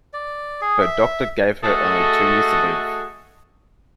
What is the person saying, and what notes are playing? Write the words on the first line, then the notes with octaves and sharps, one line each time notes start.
Her doctor gave her only two years to live.
D5
G#4
E5
A3 F#4 G#4 A4 D#5